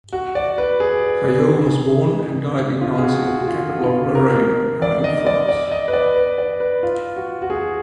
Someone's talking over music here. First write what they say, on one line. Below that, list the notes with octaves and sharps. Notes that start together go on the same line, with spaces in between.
Callot was born and died in Nancy, the capital of Lorraine, now in France.
F#4
D5
B4
G#4
F4
G#4
F#4
F#4
F#4
F4
F4
A#4
D5
D#5
D5
D5
D#5
B4
D5
B4
D5
B4
F4
F#4
F#4
G#4